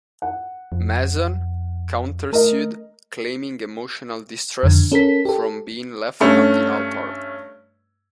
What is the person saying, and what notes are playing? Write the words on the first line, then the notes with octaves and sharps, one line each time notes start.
Mason countersued, claiming emotional distress from being left at the altar.
F#5
F2
A3 A#4 D#5
F2 D3
C#4 A4 A#4 B6
G4 A4
G2 A3 C#4